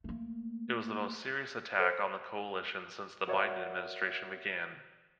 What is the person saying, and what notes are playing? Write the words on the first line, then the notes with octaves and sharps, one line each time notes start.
It was the most serious attack on the coalition since the Biden administration began.
A3 A#3
A4 C5
F#4 A#4 C#5 D5 E5 F#5